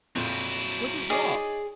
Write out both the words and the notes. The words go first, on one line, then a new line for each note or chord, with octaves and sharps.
"Wouldn't what?"
A#1 F2 F#3 E4
D#4 G#4 C#5 D5